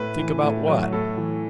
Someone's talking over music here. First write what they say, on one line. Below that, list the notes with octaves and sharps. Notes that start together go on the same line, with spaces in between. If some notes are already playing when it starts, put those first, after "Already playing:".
"Think about what?"
Already playing: A2 B4
E3
A2
F#3
A2 A4
E3